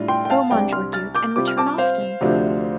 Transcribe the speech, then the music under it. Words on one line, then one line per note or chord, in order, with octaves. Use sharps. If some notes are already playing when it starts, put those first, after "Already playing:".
Go, Monsieur Duke, and return often.
Already playing: A2 G3 D4 F4
G5 C6
G5
F5 A5
C2 C3 G3 D4 D5 G5
C6 F6
F6 A6
D6 G6
C3 G3 C4 F4 D6
F6
A5 D6
C5 F5
D2 C3 F3 A3 D4